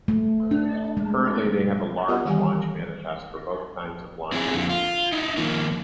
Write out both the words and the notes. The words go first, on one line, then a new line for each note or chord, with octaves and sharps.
Currently, they have a large launch manifest for both kinds of launches.
A3
D4
G#3
B3 F4 G4 D5 D#5 F#5
D#3 E3 G3 G4 G#5
C4 E4 G#4
F2 D3
F4
D#4 E4
D#3 F3 A#3 F4